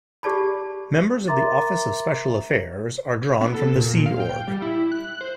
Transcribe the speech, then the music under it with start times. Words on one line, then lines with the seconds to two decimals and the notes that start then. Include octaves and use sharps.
Members of the Office of Special Affairs are drawn from the Sea Org.
0.23 G4 G#4 D5 A5 B5
1.28 A#4 E5 A#5 C6 D6 A6
3.41 B3
3.54 A4
3.76 A#2
4.06 F5
4.20 G5
4.48 G3
4.62 E4
4.92 F#6
5.21 C5